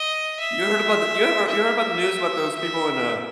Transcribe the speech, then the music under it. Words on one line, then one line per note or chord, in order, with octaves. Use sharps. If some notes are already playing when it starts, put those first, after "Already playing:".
You heard about the you ever you heard about the news about those people in, uh,
Already playing: D#5
E5
E5
E5